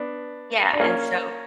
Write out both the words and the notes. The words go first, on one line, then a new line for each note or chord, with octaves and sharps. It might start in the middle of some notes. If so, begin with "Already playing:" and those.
Yeah, and so
Already playing: B3 D4
D4
A#3 C#4